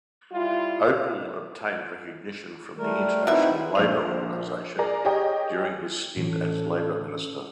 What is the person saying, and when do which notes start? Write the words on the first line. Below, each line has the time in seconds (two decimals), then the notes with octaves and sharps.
Ople obtained recognition from the International Labour Organization during his stint as Labor Minister.
0.32 G3 E4 F4
2.78 G3 A3 A#4
3.27 B2 C4 D#4 E4 E5
3.75 A#1 C5 F7
4.78 G#4 A#4 D5 A#5
5.05 G4 G#4 C#5 D#5 G5
6.17 A2 E3 C#4 A4